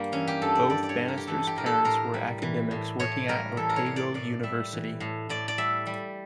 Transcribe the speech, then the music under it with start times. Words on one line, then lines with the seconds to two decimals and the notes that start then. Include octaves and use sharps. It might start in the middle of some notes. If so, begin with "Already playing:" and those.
Both Bannister's parents were academics working at Otago University.
Already playing: G2 G3 A#3
0.12 E3 C#4
0.27 G4
0.42 G2 A4
0.55 D5
0.69 G2 D5
0.83 D5
0.89 C#5
0.99 G3
1.08 A#4
1.17 G4
1.27 E3 A4
1.47 G4
1.56 A2 A#4
1.66 A4
1.85 A2 A#4
2.14 G3
2.42 E3
2.71 A2
2.99 A2 C#5
3.28 G3 A#4
3.57 E3 A4
3.70 A#4
3.76 C#5
3.86 A2
3.96 D5
4.14 A2 D5
4.43 G3 E5
4.73 E3
5.00 A2
5.29 A2 D5
5.48 D5
5.58 G3 E5
5.86 G3